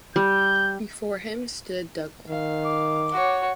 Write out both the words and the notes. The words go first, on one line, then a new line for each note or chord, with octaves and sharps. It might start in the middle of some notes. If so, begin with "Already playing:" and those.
Before him stood Dougal.
G3 G6
D#3 F5
D6
F#4 C#5